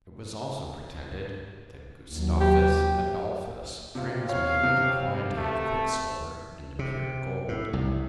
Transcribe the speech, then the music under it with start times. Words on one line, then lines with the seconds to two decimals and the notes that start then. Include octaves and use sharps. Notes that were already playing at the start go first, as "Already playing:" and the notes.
It was also pretended that Gustavus Adolphus transmuted a quantity of quicksilver into pure gold.
2.10 D#2 F#3
2.41 G4
3.95 C3 F4
4.29 C#5 F5
4.63 C3
5.37 A3
6.79 C3
7.48 A2
7.73 C2